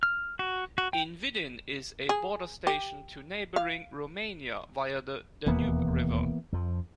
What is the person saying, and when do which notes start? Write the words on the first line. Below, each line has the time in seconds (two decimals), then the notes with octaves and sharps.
In Vidin is a border-station to neighbouring Romania via the Danube river.
0.03 F6
0.39 F#4
0.78 F#4
0.93 G5
2.09 G#4
2.67 G4
3.56 F5
5.46 E1 D#2 E3 A#3 B3
6.53 F2 F3